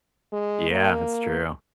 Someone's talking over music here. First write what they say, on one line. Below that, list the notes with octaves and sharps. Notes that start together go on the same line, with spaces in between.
Yeah, that's true.
G#3
A#3